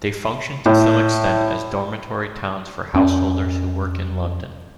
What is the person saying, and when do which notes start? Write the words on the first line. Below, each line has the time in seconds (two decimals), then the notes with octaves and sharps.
They function to some extent as dormitory towns for householders who work in London.
0.66 A2
2.94 F2 C#4